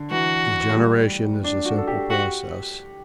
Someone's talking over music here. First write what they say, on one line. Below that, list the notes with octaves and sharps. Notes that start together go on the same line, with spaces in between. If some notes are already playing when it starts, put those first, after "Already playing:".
The generation is a simple process.
Already playing: D3
E3 F#4
A3
G3
D4
F#4
A4
G4
F#4 G4